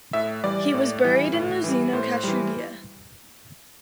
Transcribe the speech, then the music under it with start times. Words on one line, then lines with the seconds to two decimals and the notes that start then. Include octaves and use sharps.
He was buried in Luzino - Kashubia.
0.13 A2 E5
0.44 E3 G3 D5
0.74 A2
1.04 E3 G3
1.33 A2
1.64 E3 G3
1.93 A2 C5
2.23 E3 G3